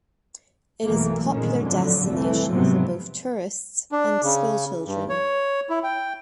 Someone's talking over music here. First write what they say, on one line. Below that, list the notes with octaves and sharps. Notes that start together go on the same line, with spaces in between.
It is a popular destination for both tourists and schoolchildren.
B1 F#2 E3 F#3 A3 A#3
G1 A#2 D#3 G#3 C#4
F2 A2 D3 F3 F#3
C2 F2 E3 A3
F2 G#2 C3 F3 F#3 B3
D4
C#3
G2
C#5
E4
G5